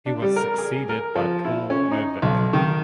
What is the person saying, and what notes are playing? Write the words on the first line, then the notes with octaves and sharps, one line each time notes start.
He was succeeded by Paul Novick.
D4
G3
A#4
G#4
A#4
F3
E4
C#4
D#4
B1
D#3